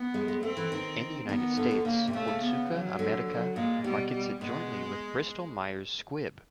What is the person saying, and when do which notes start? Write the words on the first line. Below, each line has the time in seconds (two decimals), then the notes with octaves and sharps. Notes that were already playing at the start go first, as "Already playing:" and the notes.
In the United States, Otsuka America markets it jointly with Bristol-Myers Squibb.
Already playing: B3
0.14 G#3
0.28 G#3
0.42 A3 C4
0.57 E3
0.72 D#3
1.28 D#3 B3
1.57 D3
1.71 D3
1.85 C#3 A#3
2.07 C3
2.13 C#3 A3
2.28 C#3
2.42 B3
2.70 F#3
2.99 D3
3.28 F#3
3.56 A#2 G#3
3.84 B2 G3
4.13 G3
4.41 B2 G#3